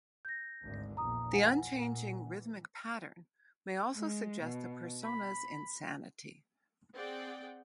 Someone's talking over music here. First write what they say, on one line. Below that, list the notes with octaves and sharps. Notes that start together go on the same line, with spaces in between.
The unchanging rhythmic pattern may also suggest the persona's insanity.
G6 A#6
G#1 D2 D3
A#1 E2 A#5 D#6
E3 F#5 G#5
A#2
E3
G#3
B2
B5
C4 G#4 D5 F#5 G5